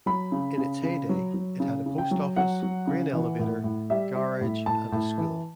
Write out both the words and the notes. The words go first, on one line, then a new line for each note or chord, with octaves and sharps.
In its heyday, it had a post office, grain elevator, garage, and a school.
F#3 B5
C#3
C#3
C#3
F#3
F#3
C#3
C#3
G5
F#3
F#3 F#5
F#3
C#3
E3
A2
A2
G3 E5
G3
A2
A2 A5
A2
E3